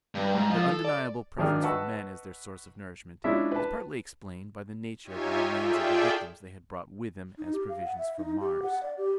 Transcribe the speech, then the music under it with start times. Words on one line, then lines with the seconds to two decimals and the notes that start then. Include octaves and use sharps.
Their undeniable preference for men as their source of nourishment is partly explained by the nature of the remains of the victims they had brought with them as provisions from Mars.
0.15 G2
0.35 G#2
0.50 F3
0.68 A4
0.85 D5
1.38 G#1 D#3 D4 G#4 F6
1.63 B4 D#5 F#5 A5 C#6 E6
3.24 G#3 C#4 D4 E4 F4 E5
3.52 B4 A5
5.04 D#4 F4 G4 C#5 E5 G#5
5.56 F4 G#4 A4 D5 E5 G5
7.38 D#4
7.53 G4
7.69 F5
7.84 F#5
7.98 E5
8.18 D#4
8.40 G4
8.62 F#5
8.83 D5
8.98 G4